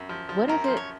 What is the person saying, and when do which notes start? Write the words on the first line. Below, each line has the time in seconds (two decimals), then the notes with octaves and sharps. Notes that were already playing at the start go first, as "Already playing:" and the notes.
What is it
Already playing: F#2
0.09 F3
0.29 F3
0.48 F#2 A#4
0.64 F3 C5
0.77 C#5